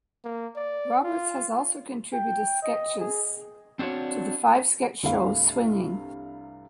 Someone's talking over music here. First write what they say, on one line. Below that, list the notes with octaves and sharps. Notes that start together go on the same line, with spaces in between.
Roberts has also contributed sketches to the Five sketch show "Swinging".
A#3
D5
F4
G5
D#5
G#4
C4 D4 F#4 C#5 D5
C2 G2 C3 A3 F5 B5